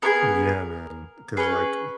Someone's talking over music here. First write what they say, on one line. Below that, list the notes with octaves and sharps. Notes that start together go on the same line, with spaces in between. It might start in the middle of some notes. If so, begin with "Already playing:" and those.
Yeah, man. Because, like
B3 F4 G#4 A#4
C#4 G#4 B4